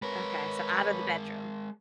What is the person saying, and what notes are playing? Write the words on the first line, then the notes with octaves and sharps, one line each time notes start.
Okay, so out of the bedroom?
G#3 A#4 B4 C#5 B5